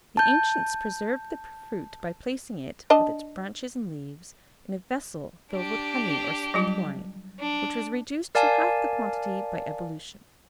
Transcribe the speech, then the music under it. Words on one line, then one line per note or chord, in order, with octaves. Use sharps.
The ancients preserved the fruit by placing it, with its branches and leaves, in a vessel filled with honey or sweet wine, which was reduced to half the quantity by ebullition.
A5 G6
D4 D#5 A5
D4 G4
F#3 G3 F4
D4
A#4 D5 F5 G#5 A5